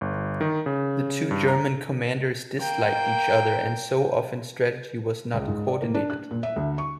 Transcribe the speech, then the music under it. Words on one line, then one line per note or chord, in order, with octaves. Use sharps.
The two German commanders disliked each other, and so often strategy was not coordinated.
G1
D#3
C#3
G2
A#5
A#3 G5
C#2
G#2
D5
A#3
D4
F#6
A#2
E5
D2
C#6